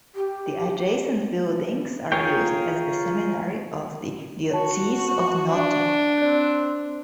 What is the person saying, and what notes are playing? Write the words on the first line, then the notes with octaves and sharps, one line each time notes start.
The adjacent buildings are used as the seminary of the Diocese of Noto.
G4
F4 G#4 A#4 C#5 G5
F#4 C#5 A5
D4
C4 D5 F#6